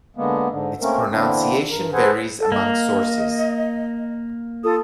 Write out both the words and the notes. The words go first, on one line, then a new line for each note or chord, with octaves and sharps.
Its pronunciation varies among sources.
D3 G#3 A#3 B3
G#2 D3
A3 A#3 C4 C#4 A#4
E2 D3 A#3 C4 D4 E4
G2 A#4
G#4 A4 B4 C5 F#5 G#5
A4
A#3 D#5
F4 A4 D#6